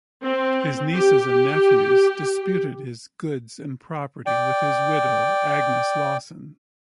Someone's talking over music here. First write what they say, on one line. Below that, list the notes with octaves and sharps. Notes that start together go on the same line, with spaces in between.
His nieces and nephews disputed his goods and property with his widow Agnes Lawson.
C4
G4
D5 G5